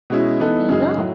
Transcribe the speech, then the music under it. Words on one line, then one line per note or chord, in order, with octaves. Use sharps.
There you go.
B2 G#3 C#4 E4
E3 B3 D#4 A4
F#2 C#3 G#3 D#4 G#4
A2 F#3